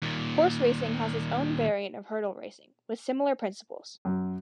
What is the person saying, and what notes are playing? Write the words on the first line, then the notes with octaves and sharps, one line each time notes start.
Horse racing has its own variant of hurdle racing, with similar principles.
D#2 A#2
F#2